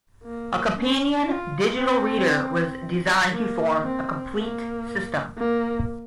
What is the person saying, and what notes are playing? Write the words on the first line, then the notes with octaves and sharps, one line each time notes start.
A companion digital reader was designed to form a complete system.
A#3
C#4
F4
C4
A#3
C4
A#3
A#3